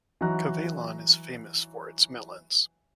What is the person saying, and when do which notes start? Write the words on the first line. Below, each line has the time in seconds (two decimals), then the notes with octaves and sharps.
Cavaillon is famous for its melons.
0.21 E3 F#3 D#4 F#4 A#5 F#6